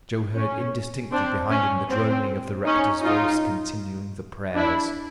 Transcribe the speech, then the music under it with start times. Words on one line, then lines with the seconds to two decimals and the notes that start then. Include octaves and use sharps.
Joe heard indistinctly behind him the droning of the rector's voice continuing the prayers.
0.36 C#4
1.12 C4 D4
1.51 C#4
1.89 C4
2.65 C#4 D#4
3.03 D#4 F4
4.55 D4 E4